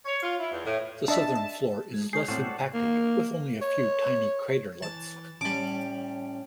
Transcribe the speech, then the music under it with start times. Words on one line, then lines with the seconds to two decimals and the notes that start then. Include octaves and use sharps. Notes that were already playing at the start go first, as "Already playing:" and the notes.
The southern floor is less impacted, with only a few tiny craterlets.
0.05 C#5
0.22 F4
0.39 E4
0.51 E2
0.65 A2
1.08 D4 D#5 E5 A5
1.94 G#3
2.13 G#4 C#5 F6 G6 C7
2.28 A2 C4 F#4 A4 D5
2.74 A#3
3.62 C#5
4.82 E3 A5
5.41 A2 G3 C#4 A5 D6